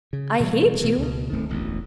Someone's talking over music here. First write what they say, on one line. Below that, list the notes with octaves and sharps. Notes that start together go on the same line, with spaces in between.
'I hate you?
C#3
B2 E3 G3 G#3
B2 E3
C#2 B2
D1 D#3 A3 C4
E1 A1 D2